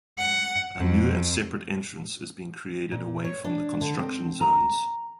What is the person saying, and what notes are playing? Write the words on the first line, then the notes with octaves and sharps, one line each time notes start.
A new and separate entrance is being created away from the Construction zones.
F#5
F2
A#2
C#5
D4
D3
C4
A#5